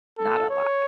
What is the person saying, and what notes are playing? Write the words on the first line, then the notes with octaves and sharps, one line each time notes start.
not a lot.
A4
C#5